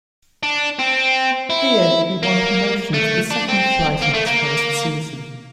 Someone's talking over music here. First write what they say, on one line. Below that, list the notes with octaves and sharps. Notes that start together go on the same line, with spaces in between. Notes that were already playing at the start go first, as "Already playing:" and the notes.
Here, he won promotion to the second flight in his first season.
D4
C4
E4
A#3
A3
D4
C4
A#3
A3
A#3